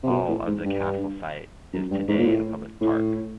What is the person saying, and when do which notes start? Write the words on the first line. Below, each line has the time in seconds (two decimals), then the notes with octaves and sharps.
All of the castle site is today a public park.
0.03 C3
0.11 B2
0.28 A2
0.47 G#2
0.65 G2
1.73 F#2
1.91 G2
2.08 G#2
2.18 A#2
2.26 A2
2.81 A2